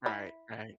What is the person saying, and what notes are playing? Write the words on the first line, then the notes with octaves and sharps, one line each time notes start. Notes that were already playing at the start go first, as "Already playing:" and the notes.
Right, right.
E4